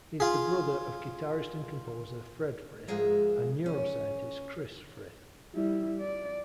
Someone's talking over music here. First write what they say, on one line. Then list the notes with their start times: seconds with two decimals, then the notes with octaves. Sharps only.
He is the brother of guitarist and composer Fred Frith and neuroscientist Chris Frith.
0.20 F4 G#4
2.87 G#2 F3 G#3 G#4 A#4 E5
3.66 C#4
5.54 G3 E4
6.00 D5